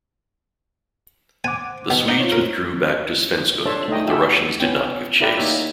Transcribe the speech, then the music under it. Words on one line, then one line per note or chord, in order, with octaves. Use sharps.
The Swedes withdrew back to Svensksund but the Russians did not give chase.
C5 F#5 G#5 D6
B2
D#4
F4 C5 C#5
A#4
D4 A4 C5 C#5 E5 A5
A3 D#4 D#5 G5
F#4 G4 A4 E5 G5 G#5
B3 C#4 G5
E4 A#4 D5 F#5 G5
A#3 D#4 G4 C#5 E5